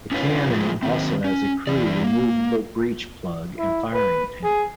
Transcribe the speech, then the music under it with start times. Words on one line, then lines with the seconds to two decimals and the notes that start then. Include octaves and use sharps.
The cannon also has a crew-removable breech plug and firing pin.
0.12 C#4 D#4 F4 B4 C#5
0.49 A2 F3 F#3 G#3 F4 G#4
0.83 D#3 F#3 C4
1.24 C#4
1.67 E3 D5
2.04 A#3
3.58 E4
3.94 B4
4.44 G#4